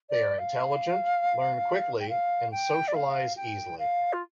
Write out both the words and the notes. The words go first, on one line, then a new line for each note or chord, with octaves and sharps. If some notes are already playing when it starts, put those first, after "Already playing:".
They are intelligent, learn quickly, and socialize easily.
D5
F5
G5
F5
G5
D5
F5
G5
F5
F4